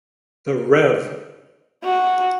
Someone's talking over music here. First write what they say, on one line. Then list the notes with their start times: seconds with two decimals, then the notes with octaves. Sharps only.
The Rev.
1.84 F#4